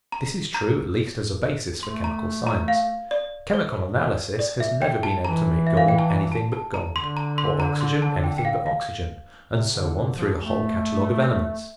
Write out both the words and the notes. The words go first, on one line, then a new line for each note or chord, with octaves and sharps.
This is true at least as a basis for chemical science. Chemical analysis has never been able to make gold anything but gold, or oxygen anything but oxygen, and so on through the whole catalogue of elements.
A#5
A#5
A3 C6
A#5
A#5
F5
D5
C5
D5
E5
G5
A5
E3 A#5
E5
F5
G5
A5
A#5
A5
A5
A#5
D3 C6
A#5
C6
A#5
C6
A5
G5
G5
F5
F5
C3
D3
D3
F3
A3
E5